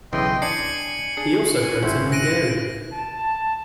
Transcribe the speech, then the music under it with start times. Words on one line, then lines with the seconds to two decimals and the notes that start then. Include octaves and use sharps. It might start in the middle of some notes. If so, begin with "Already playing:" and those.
He also wrote in Hungarian.
0.13 B1 C#3 E3 D#5 G5 C6
0.42 D4 D5 G#5 A5 C7 C#7 F#7
1.17 D4 G#4
1.62 G#5
1.83 G#1 C#4 E4 C5 F#5
2.12 F#6 A#6 D7 D#7
2.92 A5